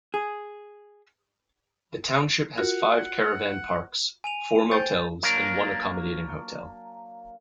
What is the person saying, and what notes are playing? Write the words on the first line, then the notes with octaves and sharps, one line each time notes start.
The township has five caravan parks, four motels and one accommodating hotel.
G#4
F4 F#4 A#4 F#5
G#5 D#7 F7
C5 G5 G6 A6
F#3 A#3 D4 A#4